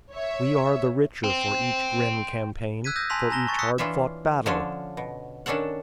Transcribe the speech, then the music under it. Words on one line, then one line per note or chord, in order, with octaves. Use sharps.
We are the richer for each grim campaign, for each hard-fought battle.
C#5 E5
G5 C6
E6 F#6 G#6 B6 D#7
D#6 E6 G6 A#6
G#5 A5 C6 B6 F7
G#5 A#5 E6 A#6 E7 G7
A5 C#6 A6
D#6 E6 F#6 B6 C#7
E3 D4 F4 C#5 E5
D3 F3 C#4 D4 A4 C#5
B2
D#3 C#4 D4 A4 C#5 F#5